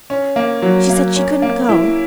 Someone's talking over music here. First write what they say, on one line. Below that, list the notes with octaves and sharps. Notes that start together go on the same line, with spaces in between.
She said she couldn't go.
C#4
A#3
F#3
A#3
C#4
A#3
E4